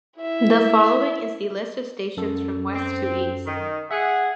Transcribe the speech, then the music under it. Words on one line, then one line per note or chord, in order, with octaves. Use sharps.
The following is the list of stations from west to east.
E4 E5
F#2 A4
C4
D#3
G#4 E5 F#5